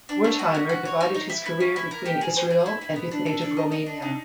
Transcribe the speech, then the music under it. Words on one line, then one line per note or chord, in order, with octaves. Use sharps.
Wertheimer divided his career between Israel and his native Romania.
D4
A3
F#4
C#4
F#4
C#5
D#4
D#4
E4
E4
C#4
E4
A#4
G4
G#4
C5
G#4
E4
E4
B3
D4
A4
D4
D#5
D#5
D4
D#4